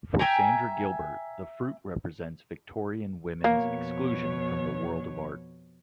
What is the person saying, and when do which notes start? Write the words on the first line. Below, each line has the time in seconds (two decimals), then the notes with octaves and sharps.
For Sandra Gilbert, the fruit represents Victorian women's exclusion from the world of art.
0.19 E5 G5 G#5 A#5
3.44 F2 B2 A#3 C#5